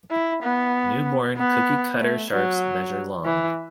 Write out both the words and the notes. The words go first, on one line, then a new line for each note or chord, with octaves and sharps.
Newborn cookiecutter sharks measure long.
E4
B3
B3
A3
F#3
E3